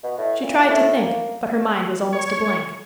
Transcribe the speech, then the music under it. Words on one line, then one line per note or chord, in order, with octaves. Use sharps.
She tried to think, but her mind was almost a blank.
B2
A2
A#2
A2
A#3
C#5